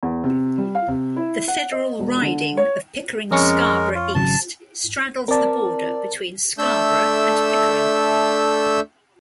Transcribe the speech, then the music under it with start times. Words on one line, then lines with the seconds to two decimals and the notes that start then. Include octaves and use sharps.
The Federal riding of Pickering-Scarborough East straddles the border between Scarborough and Pickering.
0.03 E2
0.24 C3
0.58 G3
0.75 F5
0.88 C3
1.16 E4
1.48 F#5
1.72 D#5
2.00 E1
2.22 D3
2.57 C#5
3.31 F2 G#3 C#4 A#4 C#6
3.95 F4
4.15 G#1 C#3 F#3 A5
5.28 C4 A#4 D5 A5
6.58 A3 D4 A4 E5 E6 G6